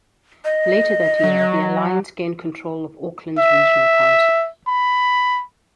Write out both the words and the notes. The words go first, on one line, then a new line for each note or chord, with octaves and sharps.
Later that year, the Alliance gained control of Auckland's regional council.
D#5
F#3
E5
B5